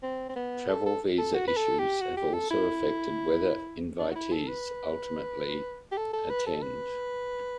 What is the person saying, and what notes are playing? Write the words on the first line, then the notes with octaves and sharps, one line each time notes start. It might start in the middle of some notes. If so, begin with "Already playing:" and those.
Travel visa issues have also affected whether invitees ultimately attend.
C4
C4
B3
A4
A4
A4
F#4
B4
A4
G4
F#4
G4
A4
E4
D4
F#4
E4
A4
B4
G4
A4
A4
B4
A4
B4